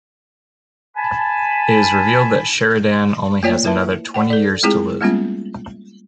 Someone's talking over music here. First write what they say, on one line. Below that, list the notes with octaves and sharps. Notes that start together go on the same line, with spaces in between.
It is revealed that Sheridan only has another twenty years to live.
G#5 A5 B5
A3 A#3 F4 C#5 D5 G5
E4 B4 E5 A5
D5 F#5 G5
A4 D5
G#3 A3 C4 E4 F4 G#4
G3 G#3 A#3 B3 C#4 F4